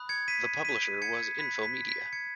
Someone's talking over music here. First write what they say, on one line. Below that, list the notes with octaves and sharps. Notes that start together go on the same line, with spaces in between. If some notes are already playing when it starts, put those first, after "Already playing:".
The publisher was Infomedia.
Already playing: B5 D#6 F#6
G#6 C#7
B6 D#7
B6 D#7
G#6 C#7
B5 F#6 B6
B6
B6
G#6 C#7